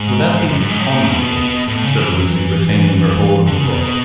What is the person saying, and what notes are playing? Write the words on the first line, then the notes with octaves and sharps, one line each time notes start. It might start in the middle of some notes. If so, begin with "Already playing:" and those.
"Will that be honorable?" said Lucy, retaining her hold of the book.
Already playing: G#2
F#2
F#2
G#2
A2
C#3
B2
A2
C#3
E3
F#3
E3
D3
C#3
B2